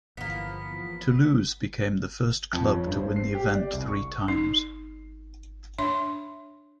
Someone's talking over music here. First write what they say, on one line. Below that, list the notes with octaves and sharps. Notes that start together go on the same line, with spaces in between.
Toulouse became the first club to win the event three times.
G1 E2 F3 A#3 B3 B6
F2
C#4
G2
C5
C7
G4
D5
C2
C#6
D#4
D4 C#5 E5 C6